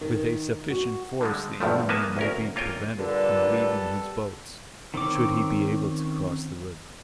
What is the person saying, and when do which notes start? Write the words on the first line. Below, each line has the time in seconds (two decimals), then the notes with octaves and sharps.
With a sufficient force, the enemy may be prevented from leaving his boats, should he be able to cross the river.
0.01 D#3
0.70 F#4
1.21 D3 G3 G#3
1.60 E2 G2 F3 A3
1.89 A#3 B3 G#5 A5
2.17 D2 C#4 A#4
2.56 A#3 F4 C#5 G5 G#5
2.99 A#2 D3 G3 B3 A4
4.94 D#3 C4 C#4 D6